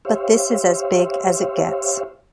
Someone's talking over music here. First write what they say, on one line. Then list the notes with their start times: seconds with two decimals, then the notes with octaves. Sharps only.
But this is as big as it gets.
0.05 G4 C5 C#5 E5 F5